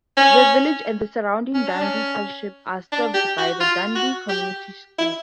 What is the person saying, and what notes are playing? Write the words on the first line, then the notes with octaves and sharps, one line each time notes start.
The village and the surrounding Dundee Township are served by Dundee Community Schools.
C#4
C#4
D4
C#4
D4
G4
F#4
F4
F#4
G4
E4